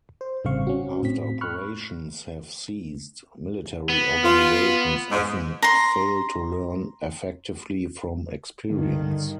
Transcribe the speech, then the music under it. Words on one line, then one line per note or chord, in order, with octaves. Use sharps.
After operations have ceased, military organisations often fail to learn effectively from experience.
C5
A1 G2 C#3 C4 F5 C#6
C#4 F#4
A2 C4 B6
B5 C#6 F6 F#6
B3
F4
G#2
A#5 C6
G2 D3 D#3